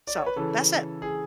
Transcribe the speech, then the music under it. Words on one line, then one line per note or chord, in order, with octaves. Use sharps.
So, that's it.
D5
C#5
B4
C#3 E3 A4
G#4